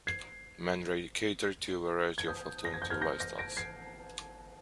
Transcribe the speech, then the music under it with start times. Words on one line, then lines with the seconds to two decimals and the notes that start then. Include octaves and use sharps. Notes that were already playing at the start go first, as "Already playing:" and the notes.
Manray catered to a variety of alternative lifestyles.
0.07 G#6 C7
2.18 G#6
2.28 D#6 G6
2.65 A#6
2.74 G#6
2.82 G6
2.90 F6 G#6
3.01 G6 A#6
3.20 G6 A#6
3.38 A#6 D7
3.57 G#6 C7